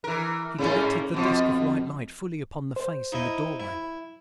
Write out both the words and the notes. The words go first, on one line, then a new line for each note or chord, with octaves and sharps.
He directed the disk of white light fully upon the face in the doorway.
E3 A#4
G#2 C#3 A#3 C#4
F2 B2 F3
C5
D#4 E4 D#5
E4